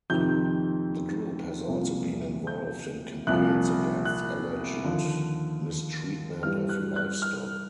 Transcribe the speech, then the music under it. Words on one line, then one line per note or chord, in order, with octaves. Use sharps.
The group has also been involved in campaigns against alleged mistreatment of livestock.
F2 C3 D#3 G6
C2 A#2 F3
G6
C2 A#2 F3 F#6
F#6
D#2 D3 F3
G2 E3 G3 F6
F#6
F#6
F6